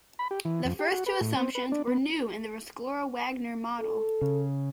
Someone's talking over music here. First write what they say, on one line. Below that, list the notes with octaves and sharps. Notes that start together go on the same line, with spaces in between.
The first two assumptions were new in the Rescorla-Wagner model.
B5
G4
E3
F2
G4
F#4
B4
A2
C4
B4
D4
B3
A4
C#3